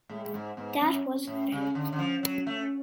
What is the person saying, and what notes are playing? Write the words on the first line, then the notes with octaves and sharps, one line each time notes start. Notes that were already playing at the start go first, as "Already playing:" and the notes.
That Was Then...
A2 G#3
A2
G#2
G#2 B3
F#2 C#4
A2
C#3
D3
D3
F3
F#3
A3